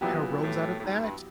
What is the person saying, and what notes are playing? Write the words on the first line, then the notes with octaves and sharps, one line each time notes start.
kinda rose out of that,
A#2 F#3 B3 E4 G4
A2
A2
G#2
G2